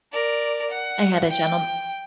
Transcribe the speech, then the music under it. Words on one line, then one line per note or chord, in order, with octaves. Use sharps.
I had a gentlem
A#4 D5
F#5
G5